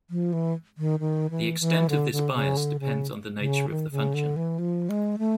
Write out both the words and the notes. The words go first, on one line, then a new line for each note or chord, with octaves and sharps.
The extent of this bias depends on the nature of the function.
F3
E3
D#3
D#3
E3
E3
D3
D3
C#3
D3
C#3
C#3
D#3
C#3
D3
E3
F3
G#3
A3